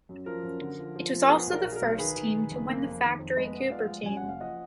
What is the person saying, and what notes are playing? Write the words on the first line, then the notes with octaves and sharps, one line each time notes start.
It was also the first win for the factory Cooper team.
F#2
F3 A#4
F#2
D3
F3
F3
F3
A#4
B3 G#4 B4
B1
A#4 D5
B2
G#4
A#4
B1
D#3 G#4 B4
D#3
D#3
F#1
A#3
F2
D#3
F2
G#3 B4 D#5
B3
F3 D5 F5
G#3
F#2 G#5
F#5
F#1
F5
F3 D#5 F#5